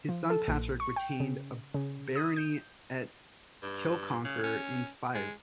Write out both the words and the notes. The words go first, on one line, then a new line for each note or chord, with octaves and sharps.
His son Patrick retained a barony at Kilconquhar in Fife.
F3
A4
A#1
C#6
G5
C#3
C#3
D#6
G6
G2
C#3
C#4
G#3